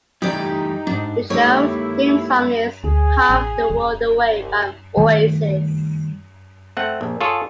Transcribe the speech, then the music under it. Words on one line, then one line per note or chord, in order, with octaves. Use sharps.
The show's theme song is "Half the World Away" by Oasis.
E3 G3 A3 D#4 G4 D5
G#2 D4
G#3 A#3 D#4 E4 G4 A4 C#5
D2 G#4
A1
E1
C2
D#3 G3 A3
A3 C4 F#5
A#1
F4 G#4 A4 C#5